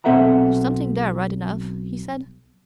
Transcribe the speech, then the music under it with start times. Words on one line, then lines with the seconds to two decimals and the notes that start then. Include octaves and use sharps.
"There's something there right enough," he said.
0.04 B1 C4 A4 E5 F#5 A#5